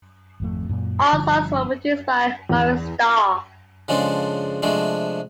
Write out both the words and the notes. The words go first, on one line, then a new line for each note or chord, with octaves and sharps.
All songs were produced by Maurice Starr.
G#1 F2 A3
F#2 A#2
G1 D3 F3
E2
C#3 F3 G#3 D4 F4 A4
C3 F3 G#3 A3 D4